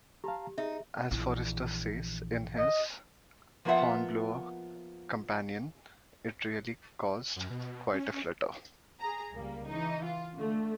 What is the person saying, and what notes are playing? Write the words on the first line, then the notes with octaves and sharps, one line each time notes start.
As Forester says in his "Hornblower Companion", "...it really caused quite a flutter".
G4 F5 A5 A#5
D#4 G#4 E5
A#1 E3
D#5
F3 A#3 B3 F4 E5 F#5
F#2
B2
C#4
G#4 A#5
C#2 G3 A#3
E3 D#4
F4
D3 A3